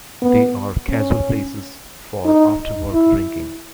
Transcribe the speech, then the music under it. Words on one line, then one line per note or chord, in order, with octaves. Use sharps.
They are casual places for after-work drinking.
B3
C#4
D#4
E4